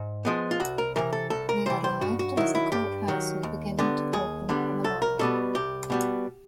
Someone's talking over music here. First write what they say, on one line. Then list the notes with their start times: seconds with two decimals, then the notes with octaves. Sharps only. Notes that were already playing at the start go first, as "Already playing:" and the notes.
They arrived as the courthouse was beginning to open for the morning.
Already playing: G#2
0.25 F3 G#3 B3
0.51 F4
0.60 C2 F#4
0.78 A#4
0.96 C3 E3 A#4
1.13 A4
1.30 C2 A4
1.49 A#4
1.66 C3 E3 C5
1.84 C5
2.01 G2 F#4
2.19 F#4
2.37 D#3 F#3 E4
2.55 E4
2.72 G2 G4
3.08 D#3 F#3
3.43 D#2
3.79 D3 G3 B3
4.13 D#2 G#4
4.49 D3 G3 B3
4.84 C2 A4
5.02 A#4
5.19 B2 G3 B3 A4
5.55 C2 G4
5.90 B2 G3 B3